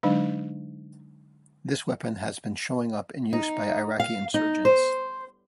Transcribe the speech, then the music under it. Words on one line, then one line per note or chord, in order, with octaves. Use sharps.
This weapon has been showing up in use by Iraqi insurgents.
D3 F#3 G#3 D4 D#4
D#4
F5
D#4
C5